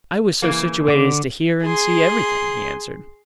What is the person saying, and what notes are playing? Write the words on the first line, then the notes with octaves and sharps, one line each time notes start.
"I was so situated as to hear and see everything," he answered.
C#3 E3 A#3
D3 D6
G#4 C6